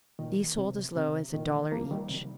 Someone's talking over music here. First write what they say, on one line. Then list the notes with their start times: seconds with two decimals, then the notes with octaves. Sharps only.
These sold as low as a dollar each.
0.19 A#2 D#3
0.57 C3
0.96 C3
1.34 A#2 D#3
1.72 F3 A#3
1.91 D#3 G3
2.09 C3